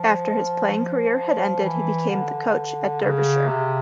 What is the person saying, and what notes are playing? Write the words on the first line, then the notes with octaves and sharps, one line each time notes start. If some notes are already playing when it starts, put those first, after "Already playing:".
After his playing career had ended, he became the coach at Derbyshire.
Already playing: F3
F3
E3
D3
C#3
C3